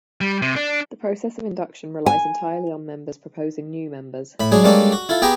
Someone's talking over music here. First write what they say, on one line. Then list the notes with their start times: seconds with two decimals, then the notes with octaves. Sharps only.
The process of induction relies entirely on members proposing new members.
0.21 G3
0.42 C3
0.56 D4
2.06 G#5
4.40 A2 B5
4.52 F#3 G#3 D4 G#4
4.64 G3 G#3 A#3 C#4 D4 A4
4.92 F#4
5.09 E4 F4 A4
5.22 B3 G4 G#4 B4 G5 A#5